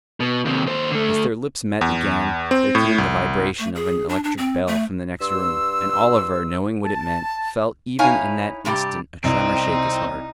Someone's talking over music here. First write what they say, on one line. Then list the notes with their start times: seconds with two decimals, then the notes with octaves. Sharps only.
As their lips met again there came the vibration of an electric bell from the next room, and Oliver, knowing what it meant, felt even in that instant a tremor shake his heart.
0.20 B2
0.45 D#2 C3
0.66 D#2 C5
0.91 D3 A3
1.81 E2
2.51 C4
2.75 A2
2.98 C2
3.59 A3
3.75 G#4
4.09 D4
4.23 D4
4.37 C4
4.67 A3
5.20 G2 C6 E6
6.85 A5
7.99 D#4 E4 C#5 F5 G#5
8.65 G2 C3 G3 G4
9.24 C2 C4 D#4